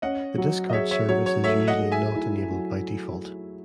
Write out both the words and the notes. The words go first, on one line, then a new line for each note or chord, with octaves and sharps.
The discard service is usually not enabled by default.
C#4 D#5 F#5
F#3
D#5
G#4 C#5 E5
C#5 E5
F#3 C#5
C#5
A3 C#5 E5
D#5 F#5
G#4
E5 G#5
E4
F#3